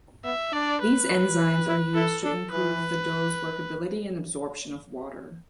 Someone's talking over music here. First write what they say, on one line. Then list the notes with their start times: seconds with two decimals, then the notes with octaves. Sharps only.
These enzymes are used to improve the dough's workability and absorption of water.
0.24 B3 E5
0.52 D4 D5
0.81 B4
1.38 E4
1.67 E4
1.94 E4 A4
2.24 D4 A4
2.51 E3 B4